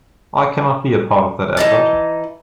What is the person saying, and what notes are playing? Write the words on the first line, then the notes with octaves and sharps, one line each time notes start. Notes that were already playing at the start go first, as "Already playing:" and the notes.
I cannot be a part of that effort.
E3 D#4 A5